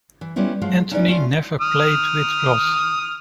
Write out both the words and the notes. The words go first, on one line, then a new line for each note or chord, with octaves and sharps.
Anthony never played with Roth.
E3
G3 B3 C#4 E4 F4
F3 F#3 G#3 F4
C#4 D#4 E4 B4 C#5 D5
A3 C#4 F4
D#6 F6